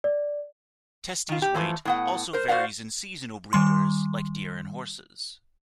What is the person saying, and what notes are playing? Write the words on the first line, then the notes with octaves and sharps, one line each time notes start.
Testis weight also varies in seasonal breeders like deer and horses.
D5
D#3 F4
G4
E3 F3 A3
A2 B3 F#5
A#4 C5
F#4 C5 D5 F5 F#5
D#3 G3 C6